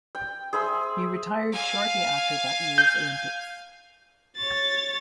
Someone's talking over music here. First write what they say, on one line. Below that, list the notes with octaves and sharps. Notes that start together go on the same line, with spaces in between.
He retired shortly after that year's Olympics.
G5
G#4 C5 E5 C6
F5 G#5
G6
C#5 A6